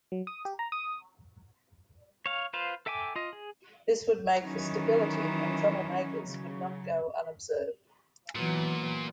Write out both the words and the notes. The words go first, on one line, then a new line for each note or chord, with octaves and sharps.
This would make for stability, and trouble-makers would not go unobserved.
F#3
D#6
G4
A#5
D#6
C#5 F5
F4 B4 C5 F5
A4 E5 G5 G#5 D6
F4 D#5
G#4
D#3 E3 F#3 C#4 D#4
C#3 F#3
A#2 E3 F#3 B3